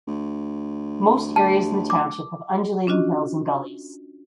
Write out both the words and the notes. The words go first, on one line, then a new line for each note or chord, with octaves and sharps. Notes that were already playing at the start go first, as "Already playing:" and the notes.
Most areas in the township have undulating hills and gullies.
D2
A5
D6
C#4 D4 F4 F#4 D#5